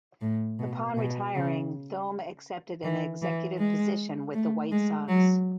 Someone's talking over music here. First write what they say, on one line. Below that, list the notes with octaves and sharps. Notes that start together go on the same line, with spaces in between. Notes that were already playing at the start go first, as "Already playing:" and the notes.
Upon retiring, Thome accepted an executive position with the White Sox.
A2
B2
B2
C#3
E3
E3
G#3
A3
G#3
F#3